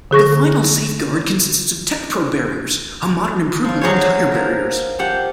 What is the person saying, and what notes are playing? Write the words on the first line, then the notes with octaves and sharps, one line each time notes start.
The final safeguard consists of Tecpro barriers, a modern improvement on tyre barriers.
D3 G#4 C#6 A#6
F3 F4
F#3 G#4 C5 C#5
F3 A#4
F3 G4 F#5